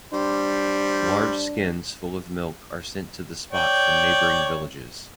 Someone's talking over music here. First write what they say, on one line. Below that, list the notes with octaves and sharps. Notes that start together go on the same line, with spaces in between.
Large skins full of milk are sent to the spot from neighboring villages.
G3 D4 C5
C#5 D5 G5